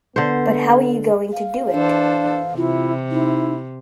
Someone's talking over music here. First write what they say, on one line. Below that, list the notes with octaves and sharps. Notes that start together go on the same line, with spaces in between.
But how are you going to do it.
D3 B3 C5
F5
E3 D4 A4 C5
C3 E4 F4
D#4 E4